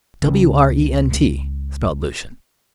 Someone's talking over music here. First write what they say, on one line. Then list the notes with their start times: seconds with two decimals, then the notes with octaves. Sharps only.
"W-r-e-n-t!" spelled Lucian.
0.22 C#2 G#3